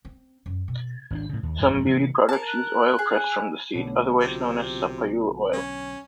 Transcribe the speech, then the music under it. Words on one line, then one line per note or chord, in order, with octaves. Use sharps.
Some beauty products use oil pressed from the seed, otherwise known as sapayul oil.
C4
F#2
B2
G#1 C#4 D4
A2 C#3
D#2
A1 F2 A#2 D#3
E1 F2 B2 G#3
C3 E3 A#3
A#4 A5
F#6
G#4
B1 B2 D3 A3 D4 C#5
C3 C4 F4 F#4
C#4